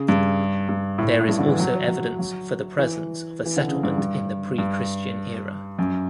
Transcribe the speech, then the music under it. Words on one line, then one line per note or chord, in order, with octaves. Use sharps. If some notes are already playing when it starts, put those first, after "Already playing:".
There is also evidence for the presence of a settlement in the pre-Christian era.
Already playing: C#3
G2
G2
A2
A2
G2
D3
E3
F#3
F#3
F#3
E3
E3
D3
C#3
G2
G2
G2
F#2